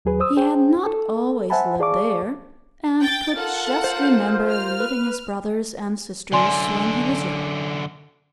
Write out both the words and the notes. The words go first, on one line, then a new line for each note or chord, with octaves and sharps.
He had not always lived there, and could just remember leaving his brothers and sisters when he was young.
D#2 F#3 G#4 B4
C5 D#6 E6
G#4 C5 G5
A4
C5 E5 F#5 G#5 A5 B5
G#4 D5 F5 A5 C#6 D6
G5 G6 A6
F4 A4 A#4 F#5
C5
F6
B4
F#2 D3 D5 G#5 C6